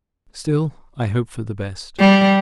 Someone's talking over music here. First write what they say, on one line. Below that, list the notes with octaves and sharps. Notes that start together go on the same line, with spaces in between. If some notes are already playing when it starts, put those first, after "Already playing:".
Still I hope for the best.
G3